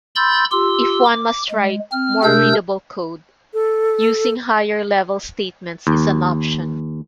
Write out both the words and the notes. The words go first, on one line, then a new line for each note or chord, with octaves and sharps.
If one must write more readable code, using higher-level statements is an option.
B5 C6 E6 G6 A6
F4 G4 C6 E6
D6
G#3
C4 F6
C3 A3 D4 A#4 E6 G6
A4
D#2